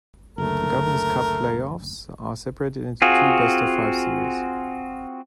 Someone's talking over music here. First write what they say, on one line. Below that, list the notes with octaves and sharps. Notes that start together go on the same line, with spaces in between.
The Governors' Cup Playoffs are separated into two best-of-five series.
F#1 D2 A3 A#4
C4 F4 F#4 G#4